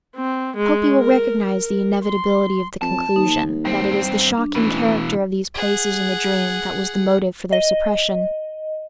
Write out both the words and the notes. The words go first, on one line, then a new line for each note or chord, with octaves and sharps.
I hope you will recognize the inevitability of the conclusion that it is the shocking character of these places in the dream that was the motive for their suppression.
C4
G#3
A#4
A#4
C6
F2 A5
D#2 D#4
G2 G3 C4
D4
A1 B2 E3
G#4 F#5
D#5